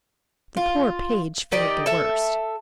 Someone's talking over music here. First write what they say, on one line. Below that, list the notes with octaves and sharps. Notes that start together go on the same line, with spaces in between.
The poor page fared the worst.
F4
D#3 G4 D5 D#5
A4 E5